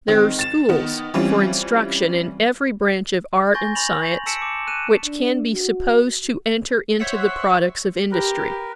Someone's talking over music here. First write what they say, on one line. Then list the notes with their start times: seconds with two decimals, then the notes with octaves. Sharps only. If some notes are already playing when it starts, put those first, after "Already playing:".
There are schools for instruction in every branch of art and science which can be supposed to enter into the products of industry.
0.08 D#3 G#3 C4
0.39 A6 E7
0.69 D#3 B3
1.14 E3 G3 C4 C#4 F4
3.54 G#5 C6 C#6 G6 A6 A#6
3.75 B5 A6 F7 F#7
4.26 A5 E6 B6 C#7 D7 E7
4.42 D6
4.67 F#6 D#7 E7
5.05 D4
5.55 F#4
6.99 C5 C#5 E5 F#5 B6
8.11 G4 A#4 B4